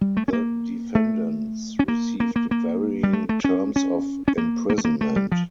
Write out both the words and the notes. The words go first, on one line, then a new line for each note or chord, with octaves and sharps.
The defendants received varying terms of imprisonment.
G3
A3
C#4
A#3
A3
C#4
A#3
A#3
A#3
A#3
G3
A3
A3
C#4
C#4
C#4
A#3
A#3
A3
A#3
A3
G3
F3